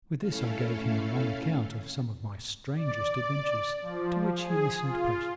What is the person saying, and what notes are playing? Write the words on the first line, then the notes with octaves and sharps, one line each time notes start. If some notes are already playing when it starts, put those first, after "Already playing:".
With this I gave him a long account of some of my strangest adventures, to which he listened patiently.
A3 C#4 E4 A4 F5
D5
F3
G#4
F4